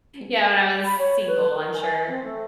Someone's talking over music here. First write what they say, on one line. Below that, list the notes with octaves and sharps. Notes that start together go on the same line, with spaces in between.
yeah, when I was single, I'm sure.
B5
C#5
B4
A#4
G#5
C4
A3